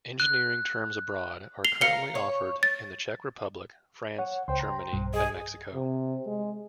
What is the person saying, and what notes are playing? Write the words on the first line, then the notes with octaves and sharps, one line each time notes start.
Engineering Terms Abroad are currently offered in the Czech Republic, France, Germany, and Mexico.
F#6
C7 F7 G7
A#4 F5 C#7 G7
C#5
A6
C#5 F#5
C#2 C5 G5 C6
A#5
B1 G2
G#4 D#5
C3
G#3